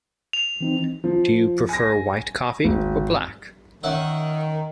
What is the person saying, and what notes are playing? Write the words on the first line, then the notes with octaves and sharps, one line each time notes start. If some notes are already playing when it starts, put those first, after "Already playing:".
Do you prefer white coffee, or black?
F7
E3 C4 D#4
F3
G#5 A#6
G#1
D#3 C#4 E5 F#5